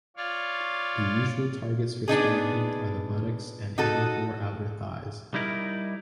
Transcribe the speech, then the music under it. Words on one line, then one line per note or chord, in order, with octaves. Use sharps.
The usual targets for spanking are the buttocks and inner or outer thighs.
F4 C#5 D5 F5
B3 D4 D#4 G#4
D#4 F#4 A4
G3 D#4 E4 A#4